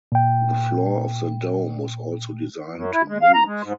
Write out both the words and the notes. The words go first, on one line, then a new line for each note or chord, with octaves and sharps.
The floor of the dome was also designed to move.
A#2 G5
F#2
E4
G#3
F5
A#5
G#3
G#2